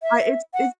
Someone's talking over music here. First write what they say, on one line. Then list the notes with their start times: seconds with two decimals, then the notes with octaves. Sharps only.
I it's it's
0.03 E5
0.54 F#5